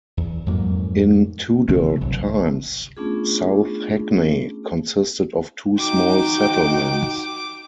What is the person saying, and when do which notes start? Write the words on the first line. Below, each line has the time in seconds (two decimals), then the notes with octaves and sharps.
In Tudor times, South Hackney consisted of two small settlements.
0.17 E2
0.46 F2 G#2 F#3 A#3
1.69 D2 C3 F3 A3
2.00 G1 C2 F#3
2.97 A3 B3 C#4 D4 F4 G#4
5.78 D#4 F#4 G5 D6